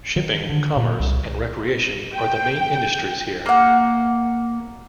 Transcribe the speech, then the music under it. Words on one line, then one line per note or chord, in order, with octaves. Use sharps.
Shipping, commerce, and recreation are the main industries here.
D#3
D3
A#2
C2
G5
A#3 F#5